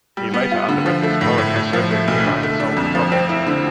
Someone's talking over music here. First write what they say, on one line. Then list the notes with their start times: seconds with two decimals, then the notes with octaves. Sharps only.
He later underwent exploratory surgery to try and solve the problem.
0.17 G3
0.34 B3
0.52 F4
0.69 D3
0.86 F3
1.03 A3
1.21 A2
1.38 A2
1.56 A2
1.73 F3
1.91 A3
2.08 B1
2.25 D3
2.43 A3
2.60 D4
2.77 F2
2.95 F3
3.12 C4
3.29 E4
3.47 D3